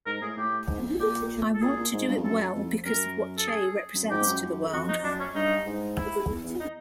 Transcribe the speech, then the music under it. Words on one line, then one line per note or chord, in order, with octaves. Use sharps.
I want to do it well because of what Che represents to the world.
G#2 A#4
A2 G#4
A2 G4
G#2
F2
A#2 G4
A4
A#2 G#4
A#2
G#2
G2
F2
F#2 A4
F2
F#2 A#4
A4
G#4
F#2
G#2 G4
F#2
F#2
F2 F#4
D#4
F#2 D4
C#4
G2 D#4
G#2
E4
E2
E2
D#4